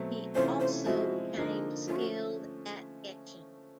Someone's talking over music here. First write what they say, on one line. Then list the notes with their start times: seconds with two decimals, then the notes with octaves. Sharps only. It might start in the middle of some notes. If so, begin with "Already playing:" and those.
He also became skilled at etching.
Already playing: B2 F#3 A3 C4
0.35 C3 E3 A3 C#4 F4 C5
0.60 C5
0.85 F3 G#3 C4 E4 F#4
1.37 D3 F3 A#3 D#4
1.87 F3 A3 C#4 F4
1.96 F#4